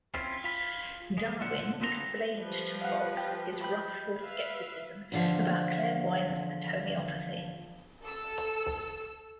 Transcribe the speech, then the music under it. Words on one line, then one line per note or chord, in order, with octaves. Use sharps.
Darwin explained to Fox his wrathful scepticism about clairvoyance and homeopathy.
C4 C#4 E4 F4
F4 B5
G#3
C#2 A#2 D3 F4 A4 F#5
D2 F3 B3 C4 F#4 A#5
F3 G3 B4
F5 F#5
G4
B5 G6
B4 E5 F5
E2 D3 F3
A4 E6